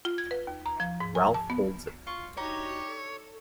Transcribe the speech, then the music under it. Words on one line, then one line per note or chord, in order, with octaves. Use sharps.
Ralph holds it.
F4
G#6
B4
D#2
A#5
F3
G#2
G#5
A5
B3
F4 C#6
D4 D#4 F#4 G4 C#5 A#5
A4